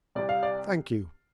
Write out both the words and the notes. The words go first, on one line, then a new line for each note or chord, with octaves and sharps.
"Thank you."
C2 C3 D5
F5
D5